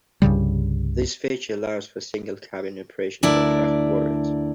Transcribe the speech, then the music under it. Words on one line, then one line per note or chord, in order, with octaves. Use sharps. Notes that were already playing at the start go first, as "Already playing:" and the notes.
This feature allows for single cabin operation when traffic warrants.
C2 G2 C#3 G3
D2 D4 E4 A#4 D5